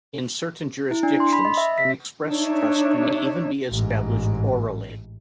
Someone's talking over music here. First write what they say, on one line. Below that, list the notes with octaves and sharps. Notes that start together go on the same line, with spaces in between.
In certain jurisdictions, an express trust may even be established orally.
E4
D4
C6
B5
D#5
E5
B6
D4 D#4 C#5 E5
A1 G#2